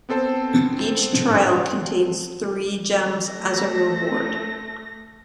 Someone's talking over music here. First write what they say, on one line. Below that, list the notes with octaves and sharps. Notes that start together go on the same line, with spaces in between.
Each trial contains three gems as a reward.
B3 C4 A4 C5 A5
A3 A#6